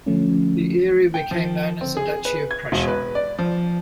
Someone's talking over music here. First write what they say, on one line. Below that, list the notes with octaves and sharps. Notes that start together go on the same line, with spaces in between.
The area became known as the Duchy of Prussia.
D3 F3 A3 C#4
G5
F3
C4
G#4
B4
G#6
E1
B4
D5
F3